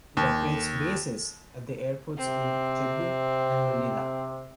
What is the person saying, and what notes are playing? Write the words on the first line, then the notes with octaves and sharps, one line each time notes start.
It operates bases at the airports in Cebu and Manila.
D#2
C3 C4